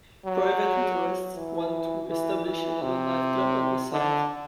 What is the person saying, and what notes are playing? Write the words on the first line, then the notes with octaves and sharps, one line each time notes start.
Private interests want to establish another night club on the site.
F#3
E3
E3
E3
C3
D3